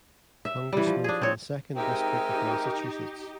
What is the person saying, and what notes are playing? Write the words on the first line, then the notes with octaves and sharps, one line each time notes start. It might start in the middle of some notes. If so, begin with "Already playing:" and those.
Congressman from the Second District of Massachusetts.
E5
E3 G3
F3
D4 G#4
C4 C#5
G#3 C4 D#4 G4 A#4 E5 G5